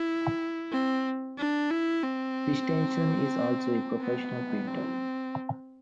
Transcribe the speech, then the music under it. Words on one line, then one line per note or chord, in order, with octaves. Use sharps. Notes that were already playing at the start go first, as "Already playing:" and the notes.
Christensen is also a professional painter.
Already playing: E4
C4
D4
E4
C4
B3
C4